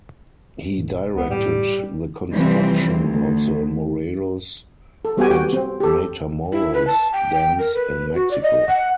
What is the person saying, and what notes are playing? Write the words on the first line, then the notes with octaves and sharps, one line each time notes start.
He directed the construction of the Morelos and Matamoros dams in Mexico.
A2
F1
C#2 B3
A2 G3
C3 E3 F3 G3 C4
D2
A4
G3 B3 F#4 G4 G5 G#5
F#4 G5
C4
G4 A4
E4
B4
A5
G5
G5
A#4
B4
F#4
D5
D#5
F#5